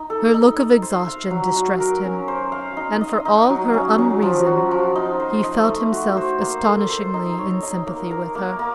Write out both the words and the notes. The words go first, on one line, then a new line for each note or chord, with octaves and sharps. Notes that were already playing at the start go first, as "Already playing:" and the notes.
Her look of exhaustion distressed him, and, for all her unreason, he felt himself astonishingly in sympathy with her.
Already playing: D#4
A4
D#4
D#4
C5
F5
F#3
F#4
A#4
C#4
C5
F5
D#4
D#5
D#4
F#3
C#4
F#3
F3
F#4
F3
D#4
C5
D#5
A3
F#4
C5
A#3
A4
C5
D#4
C#5
D#4
A#3
A#4
A#3
A#3